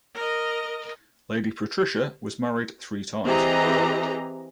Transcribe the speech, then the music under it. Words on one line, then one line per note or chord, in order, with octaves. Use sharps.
Lady Patricia was married three times.
A#4 D#5
E3 C4 G4 G#4 D#5 A#5